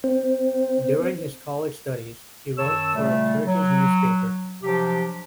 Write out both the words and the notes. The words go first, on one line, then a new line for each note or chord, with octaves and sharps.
During his college studies, he wrote for a Turkish newspaper.
C4
F#2 D#3 C#5 A5 E6
A#2 C#3 G3 A3
F#3
C3 F3 F#3 D4 G4